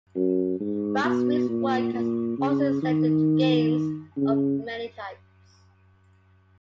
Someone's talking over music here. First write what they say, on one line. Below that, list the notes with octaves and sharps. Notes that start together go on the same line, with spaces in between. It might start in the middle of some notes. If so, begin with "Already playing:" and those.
Bradstreet's work has also extended to games of many types.
F#2
G#2
B2
A#2
A#2
C#3
D#3
C#3